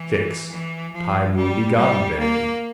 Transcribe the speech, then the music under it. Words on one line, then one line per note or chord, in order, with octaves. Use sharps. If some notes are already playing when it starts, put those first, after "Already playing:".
Six. Time will be gone then.
Already playing: E3
E3
F3
G3
G3
A#3